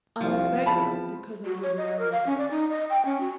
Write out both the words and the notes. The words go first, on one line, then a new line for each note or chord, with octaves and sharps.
I'm a beggar because I would marry her.
C2 F3 C4
E2 A5 B5
F#4
C#5
D#5
A#4
F5
C#4
D5
D#4
D#5
G5
C#4
F#4